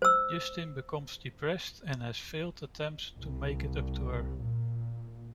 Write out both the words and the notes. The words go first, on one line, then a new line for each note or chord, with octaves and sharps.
Justin becomes depressed and has failed attempts to make it up to her.
C5 E6
C2
A#2